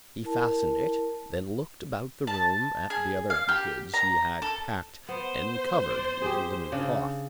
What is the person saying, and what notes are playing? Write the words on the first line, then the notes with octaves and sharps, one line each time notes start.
He fastened it, then looked about the room at the other goods he had packed and covered with a linen cloth.
E4 A#4 A5
A5
G#4
F5
G4
A#5
A4
B3 C5
D5
G4 G#4
C#3 D4